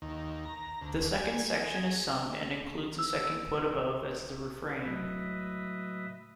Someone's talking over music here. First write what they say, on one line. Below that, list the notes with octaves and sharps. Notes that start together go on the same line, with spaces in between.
The second section is sung and includes the second quote above as the refrain.
D#2
A#5
D2
G#5
G#4
E6
C#2 A2 F#3 B4 D#5 E5